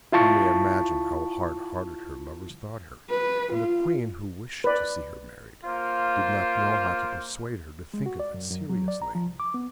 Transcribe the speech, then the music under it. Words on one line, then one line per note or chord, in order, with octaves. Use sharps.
You may imagine how hard-hearted her lovers thought her; and the Queen, who wished to see her married, did not know how to persuade her to think of it seriously.
E4 F4 A5 C#6
B4
F4
B4 D5
A#3 F4 C5
G#3
F#4
D5
F#2
F#2
F#3
D5
A#5
F3
C2
D6
B3